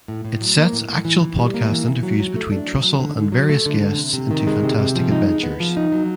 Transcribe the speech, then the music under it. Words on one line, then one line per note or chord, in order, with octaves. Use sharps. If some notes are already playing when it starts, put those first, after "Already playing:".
It sets actual podcast interviews between Trussell and various guests into fantastic adventures.
A2
A2
F#3
A#3
A2
A2
E3
E3
G3
A#3
E3
E3
F#3
F#3
A3
D4
F#3
F#3
D3
D3
F#3
A3
D3
D3
C3
C3
D#3
G#3
C3
C3
F3
D#4
G#3
B3
F3
D#4
F#3